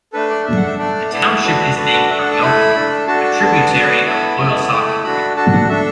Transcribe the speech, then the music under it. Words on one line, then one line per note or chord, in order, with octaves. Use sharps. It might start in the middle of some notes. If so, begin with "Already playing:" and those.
The township is named for Mill Creek, a tributary of Loyalsock Creek.
A3 D4 A4 B4
D5
D4 A4 E5
F#5
E5
A3 D4 A4 D5
B3 E4 A4 D5
B4
D4 F#4 A4
D4 F#4 A4 B4
B4
D4 A4 E5
F#5
A5
A3 E4 A4 B5
D4 A4
D4 F#4 A4 A5
A5
B3 D4 A4 A5
B3 D4 F#4 A4
B3 E4 A4 B5
B3 E4 A4
A3 E4 A4 B5
B5
D4 F#4 A4 B5
D4 F#4 A4 A5
F#5
D4 A4 E5